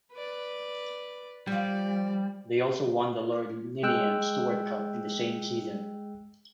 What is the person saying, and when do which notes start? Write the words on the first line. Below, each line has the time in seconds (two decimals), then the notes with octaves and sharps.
They also won the Lord Ninian Stuart Cup in the same season.
0.12 B4 D5
1.47 F3 G3 F4 D5
3.83 G#3 G5 E6 F#6